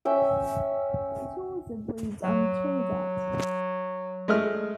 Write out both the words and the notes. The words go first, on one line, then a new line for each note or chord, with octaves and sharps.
It also breeds on Trinidad.
C#4 E5 G5
F#3
G#3 A3 F6